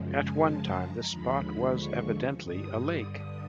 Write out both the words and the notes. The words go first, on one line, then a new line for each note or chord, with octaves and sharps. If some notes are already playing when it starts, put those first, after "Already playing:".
At one time this spot was, evidently, a lake.
Already playing: F#2 C#3 F3 G#3
G#5
A5
A#5
D#2 D3 F3 G#3 B5
C#6
G2 D3 G3 D#6